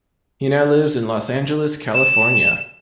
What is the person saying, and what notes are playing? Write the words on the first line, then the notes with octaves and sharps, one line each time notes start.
He now lives in Los Angeles, California.
E7